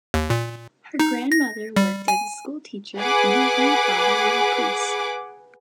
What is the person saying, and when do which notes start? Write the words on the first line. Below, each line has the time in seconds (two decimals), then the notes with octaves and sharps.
Her grandmother worked as a schoolteacher and her grandfather was a priest.
0.14 D#2
0.30 A#2
1.00 D#4
1.32 A#6
1.76 G3
2.08 G#5
2.98 G#4 B4 F#5 G#5 D6